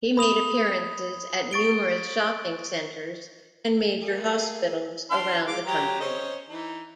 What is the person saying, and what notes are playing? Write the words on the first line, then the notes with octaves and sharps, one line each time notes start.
He made appearances at numerous shopping centres and major hospitals around the country.
B5 D#6 F7 G7
C#6 A6 D7 G7
A#3 G#4
D4 C6 F6
G#3 F5 D6
F#3 G4 A#5
C#4 C5 D#5
E3 D#4